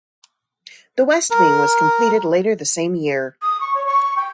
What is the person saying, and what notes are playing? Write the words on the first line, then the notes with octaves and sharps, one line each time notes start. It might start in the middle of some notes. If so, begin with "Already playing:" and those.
The West Wing was completed later the same year.
A#4
D#6
C#6
C#5
C#6
G5